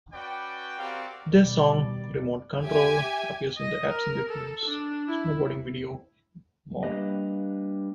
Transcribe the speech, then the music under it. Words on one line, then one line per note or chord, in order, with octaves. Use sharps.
Their song, "Remote Control" appears in the Absinthe Films snowboarding video, "More".
C#4 F#4 B4 D5 G5
C4 F#4 G4 A#4 D5 F5
B2 D#3 G3 D5
G4 E5 G#5 G#6
D#5
A#4
A4
D4
E4
G3 A#3 D4 G4 B4 D#5